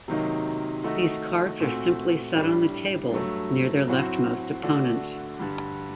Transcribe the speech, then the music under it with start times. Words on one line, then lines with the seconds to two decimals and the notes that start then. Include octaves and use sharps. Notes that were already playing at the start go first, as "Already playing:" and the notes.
These cards are simply set on the table near their left-most opponent.
0.08 C3 D#3 F#3 A#3 D#4
0.84 D#3 A3 D#4 F#4
1.60 A#2 A3 C4 F#4
2.35 A2 G3 D4
3.11 G2 F#3 A3
3.88 A2 F#3 C4 F#4
4.63 D3 A3 D4 F#4
5.39 G2 D3 G3